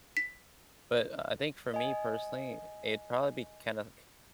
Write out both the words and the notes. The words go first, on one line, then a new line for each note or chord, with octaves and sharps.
but, uh, I think for me personally, it'd probably be calock
B6
D#5 G#5